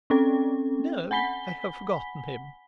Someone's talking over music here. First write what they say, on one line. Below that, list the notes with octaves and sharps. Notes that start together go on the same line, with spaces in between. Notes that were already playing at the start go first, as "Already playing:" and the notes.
"No, I have forgotten him."
C4 C#4 A4 G5
F#5 G#5 B5 B6 G7